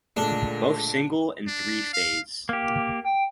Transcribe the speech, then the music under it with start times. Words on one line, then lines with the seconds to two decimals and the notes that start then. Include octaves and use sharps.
Both single and three phase.
0.17 A#2 D3 G#3 A3 D4
1.47 D4
1.93 F5
2.49 A#3 G4
3.04 G5